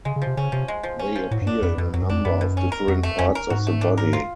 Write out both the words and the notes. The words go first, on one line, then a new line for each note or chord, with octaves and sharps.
They appear in a number of different parts of the body.
C#3 G#3
C#3
F3
C3
C#3 C#4
C3 F3
G#3
F3
C#4
F3
A2 F#3
G2
D4
F2 B3
F2 B2
F2 F#3
F#2
F2 D4
F#2 B3
B2
C#4
A#4
F2 F#4
A3
F2 C#4
A#4
G#2 F#4
A3
D4
A#4
F4